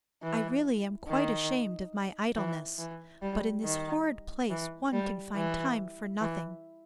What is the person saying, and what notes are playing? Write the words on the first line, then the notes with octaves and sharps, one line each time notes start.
I really am quite ashamed of my idleness; but in this horrid place one can find time for nothing.
E3
D#3
E3
E3
G3
D#3
E3
G3
E3
E3